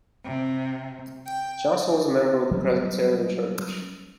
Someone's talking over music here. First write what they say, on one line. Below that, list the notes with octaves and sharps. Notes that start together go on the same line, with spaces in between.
Johnson was a member of the Presbyterian church.
C3
G5
F#3 G3 C#4